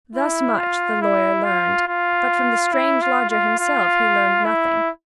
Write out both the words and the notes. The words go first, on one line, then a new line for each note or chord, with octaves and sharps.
Thus much the lawyer learned, but from the strange lodger himself he learned nothing.
E4
F4
E4
F4
F4
E4
F4
F4
F4
E4